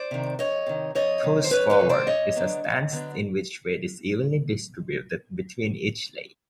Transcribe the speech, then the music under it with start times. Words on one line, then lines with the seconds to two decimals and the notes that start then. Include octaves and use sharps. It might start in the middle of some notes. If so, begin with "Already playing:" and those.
Toes Forward is a stance in which weight is evenly distributed between each leg.
Already playing: C5 D5
0.11 C3 D#3
0.39 F2 C#5 D#5
0.66 C3 D#3
0.95 F2 C#5 D#5
1.23 C3 D#3
1.44 C5
1.51 F2 B4 C#5
1.70 B4 C#5
1.80 C3 D#3
1.89 C5 D5
2.07 F#2 C#5 D#5
2.36 D3 F#3 B3 D4
2.64 F#2
2.92 D3 F#3 B3 D4